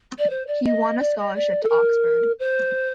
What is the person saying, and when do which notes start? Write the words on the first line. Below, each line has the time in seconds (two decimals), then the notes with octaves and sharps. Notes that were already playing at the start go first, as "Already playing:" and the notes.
He won a scholarship to Oxford.
0.18 D5
0.30 C5
0.47 D5
0.64 D#5
0.99 D5
1.17 D#5
1.35 D5
1.63 A4
1.69 A#4
2.39 C5